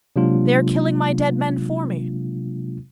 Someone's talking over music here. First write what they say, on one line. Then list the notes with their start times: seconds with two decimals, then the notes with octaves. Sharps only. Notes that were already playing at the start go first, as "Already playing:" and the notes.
"They are killing my dead men for me."
0.16 C3 F#3 G#3 A#3 D4 F4